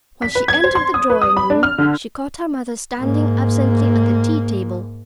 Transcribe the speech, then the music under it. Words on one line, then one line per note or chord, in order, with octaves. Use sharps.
When she entered the drawing-room, she caught her mother standing absently at the tea-table.
B6
B4
G#6
C5
C6
D#6
B4
D#6
B5
D4
F6
D3
G#2 A#3